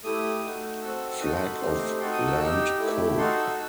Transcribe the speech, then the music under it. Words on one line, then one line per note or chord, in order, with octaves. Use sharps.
Flag of Land Co.
A3 E4 G4 D#6
A3 D#4 F#4
C4 F#4 A4 E6
E6
E6
D#4 F#4 A4 D#6
C6
B5
C6
A3 C4 D#4 G4
D#4 F#4 A4 C6
D#6
E6
D#4 G4 E6
A3 E4 G4
D#4 F#4 A4 C6
E6